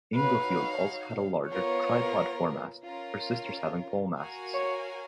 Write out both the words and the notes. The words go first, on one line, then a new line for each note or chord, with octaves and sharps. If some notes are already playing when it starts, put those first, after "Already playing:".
"Inglefield" also had a larger tripod foremast, her sisters having pole masts.
D#4 F#4 B4 C#5 F5
B3 F4 A#4 C#5
C#4 F4 A#4
F#4 A#4 F5 G#5
C#5